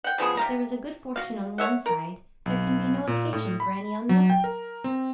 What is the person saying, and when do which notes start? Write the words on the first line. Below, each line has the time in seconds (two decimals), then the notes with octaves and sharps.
If there is a good fortune on one side, there can be no occasion for any on the other.
0.04 F#5 G5
0.18 C#3 F3 B3 G#4
0.37 C3 F5 A#5
1.16 F#4 F5
1.58 C#5 E5 F#5
1.86 A#4
2.46 B1
3.07 A#2
3.33 A2
3.60 B5
4.09 F#3
4.30 G5
4.44 A#4
4.84 C4